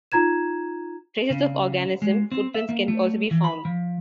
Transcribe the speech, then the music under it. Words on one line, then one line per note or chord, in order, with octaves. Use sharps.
Traces of organism footprints can also be found.
D#4 F4 A#5 G#6 E7
C#3
G#3
C4
E5
A#3
A3
E3
B5
F3